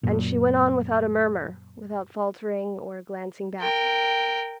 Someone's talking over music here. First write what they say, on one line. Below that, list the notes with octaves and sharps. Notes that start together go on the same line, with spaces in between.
And she went on without a murmur, without faltering or glancing back.
F#2 A#2
A#4 G5